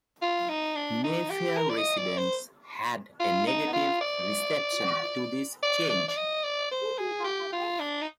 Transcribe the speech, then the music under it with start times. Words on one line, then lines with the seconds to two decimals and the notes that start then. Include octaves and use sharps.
Mayfair residents had a negative reception to this change.
0.22 F4
0.49 D#4
0.75 D4
1.04 D#4
1.30 G4
1.57 A#4
1.70 D5
1.77 D#5
1.97 D5
2.17 C5
3.20 F4
3.47 D#4
3.73 F4
4.01 D5
5.62 D5
5.89 D5
6.08 D5
6.17 D#5
6.43 D5
6.71 C5
6.98 G#4
7.24 G4
7.52 F4
7.79 D4
8.01 D#4